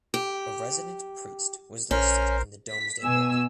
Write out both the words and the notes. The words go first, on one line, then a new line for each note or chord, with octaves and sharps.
A resident priest was listed in the Domesday book.
G4
A#1 C#4 A#4 C5
B6
B2 G#5 E6